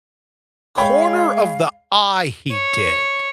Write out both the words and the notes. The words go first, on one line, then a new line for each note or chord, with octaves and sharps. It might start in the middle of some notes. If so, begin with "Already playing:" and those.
Corner of the eye, he did
G#3 C#5 F5 G5 B5
C#5